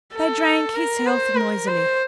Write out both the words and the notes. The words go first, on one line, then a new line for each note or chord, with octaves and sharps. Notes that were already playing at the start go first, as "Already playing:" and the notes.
They drank his health noisily.
A4
A#4
C5
A#4
C5